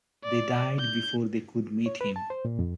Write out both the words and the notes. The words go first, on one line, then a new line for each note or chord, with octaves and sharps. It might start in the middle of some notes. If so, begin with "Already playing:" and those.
They died before they could meet him.
D5
G6
C#5
B4
A5
C5
A#2
F2